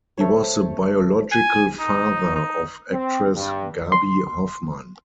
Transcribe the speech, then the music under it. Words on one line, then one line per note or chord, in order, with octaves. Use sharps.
He was the biological father of actress Gaby Hoffmann.
A3 C5 C#5
G#5
D#4
D#4
C4
G2
C6